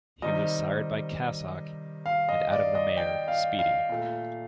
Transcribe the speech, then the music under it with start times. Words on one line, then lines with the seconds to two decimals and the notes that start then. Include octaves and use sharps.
He was sired by Cassock and out of the mare, Speedy.
0.22 C3 D#3 G3 D#5
2.06 F5
2.29 D#5
2.52 D5
2.75 D#5
2.97 G5
3.28 F5
3.59 F5
3.89 A#2 A3